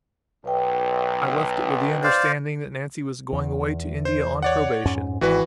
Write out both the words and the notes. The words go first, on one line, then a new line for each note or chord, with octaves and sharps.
I left it with the understanding that Nancy was going away to India on probation.
B1 B4 G5
C5 D5 F5
E2
C5
C#5 D5 F#5
F2 G#2 C#4
G#1 E3 F#4 B4